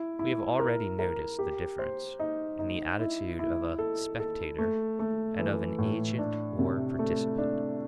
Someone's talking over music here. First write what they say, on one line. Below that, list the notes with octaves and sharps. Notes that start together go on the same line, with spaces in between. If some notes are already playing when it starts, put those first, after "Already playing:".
We have already noticed the difference in the attitude of a spectator and of an agent or participant.
Already playing: E4
E4
A#4
A#4
G4
C5
D#4
D#4
E4
E4
A4
A4
A3
A3
E3
A2
D4
C3
A3
D4